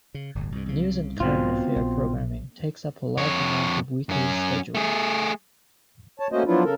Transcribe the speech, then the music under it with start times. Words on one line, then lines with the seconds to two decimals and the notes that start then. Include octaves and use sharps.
News and current affairs programming takes up a large amount of the weekly schedule.
0.14 C#3
0.35 D1 G1
0.52 C2 G2
0.66 C2 C#3
1.20 B1 G#2 B2 F3 C4 F4
1.76 A#1
3.17 F2 C#5
4.09 F#2 C#4
4.75 A3 G#4
6.20 C#5 A5
6.32 A3 A#3 C#4 F#4 C5 D#5
6.46 F3 F#3 B3 D4 E4 F4
6.64 C#3 A4 A#4